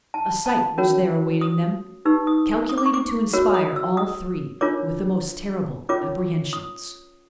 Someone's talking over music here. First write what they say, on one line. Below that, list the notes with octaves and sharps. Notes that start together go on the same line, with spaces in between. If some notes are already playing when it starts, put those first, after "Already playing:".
A sight was there awaiting them, calculated to inspire all three with the most terrible apprehensions.
A5
A5
C#4 F#4 A#4 C#5
D#6
D#4 G4 B4 E6
D#6
D#6
D6
C#6
D6
F#4 A#4 C#5 E6
D#6
E6
D#6
D4 F4 A#4 C#5 D6
C#4 F4 A#4 C#5 D6
D#6